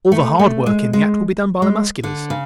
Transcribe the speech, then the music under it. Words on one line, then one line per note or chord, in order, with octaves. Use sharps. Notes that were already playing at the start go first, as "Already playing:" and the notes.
All the hard work in the act will be done by Musculars.
A3
A3
G#3
G#3
G#3
D3
C#3